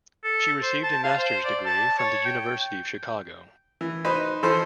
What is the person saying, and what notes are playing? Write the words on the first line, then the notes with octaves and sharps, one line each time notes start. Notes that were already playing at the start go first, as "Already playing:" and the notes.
She received a master's degree from the University of Chicago.
A4
C5
A5
F5
C5
D5
A5
C#5
G5
E3
D#4 B4 C5
E3 F3 A4 C5 C6